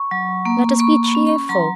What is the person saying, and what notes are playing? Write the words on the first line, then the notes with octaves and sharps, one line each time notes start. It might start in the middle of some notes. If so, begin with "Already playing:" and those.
Let us be cheerful.
Already playing: B5 C#6
F#3
A#3
A#3 B5 C#6
B5 C#6
C#4
B5 C#6
F#3 A#5 C6